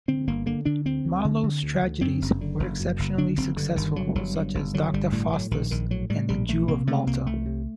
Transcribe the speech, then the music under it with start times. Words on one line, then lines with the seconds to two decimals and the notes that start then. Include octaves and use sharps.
Marlowe's tragedies were exceptionally successful, such as "Doctor Faustus" and "The Jew of Malta".
0.08 D3 C4
0.27 G1 A#3
0.46 D3 A#3
0.65 D3 D4
0.85 D2 C4
1.05 D2
1.25 D3
1.43 D3
1.63 D2
1.82 D2
2.01 F#2 C4
2.22 F#1
2.41 D3
2.60 F#1
2.80 F#2
2.99 F#1
3.18 D3 D4
3.37 F#1 C4
3.57 G2 D3
3.76 G1 D#3
3.96 D3 F#3
4.15 G1 F#3
4.35 G2
4.55 G1
4.74 D3 F#3
4.94 G1 G3
5.12 A2 G3
5.32 A2 F#3
5.51 A#1 D#3
5.71 A#1 D#3
5.90 A2 F#3
6.10 A2 G3
6.29 A#1 G3
6.48 A#1 A3
6.68 C3 A#3
6.87 C3 A3
7.07 C2 A#3
7.27 C2 A3
7.46 C3